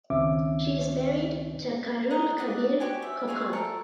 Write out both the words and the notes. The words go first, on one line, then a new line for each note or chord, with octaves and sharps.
She is married to Khairul Kabir Khokon.
C#2 D#3 C4 C#4 E5 D6
D#5 F#5 A#5
D5 D#5 F#5
F#4 G4 C5 G#5
E5
F4 G#4 C#5 E5
A4 A#4 E5